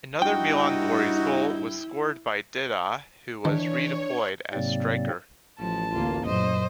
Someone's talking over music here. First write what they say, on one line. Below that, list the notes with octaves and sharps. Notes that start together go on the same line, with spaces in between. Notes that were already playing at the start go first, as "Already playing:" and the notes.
Another Milan Glorie's goal was scored by Dida who was re-deployed as striker.
G2 D#4 E4 F#4 G5
D#3 E3 D4 C#5
G#2 C3 F#3 A#3 C4 D5
A1 F3 A5
D2 A#3 F4
F#2 A#2 F#3 C5 D#5